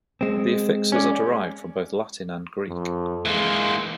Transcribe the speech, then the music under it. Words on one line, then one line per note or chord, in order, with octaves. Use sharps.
The affixes are derived from both Latin and Greek.
G#3 C4
C#4 D5
F2
E3 G#3 A#3